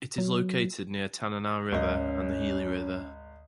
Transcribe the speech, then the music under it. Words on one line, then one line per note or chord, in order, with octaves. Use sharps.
It is located near Tanana River, and the Healy River.
F#3
G#1 D2 C#4 D#5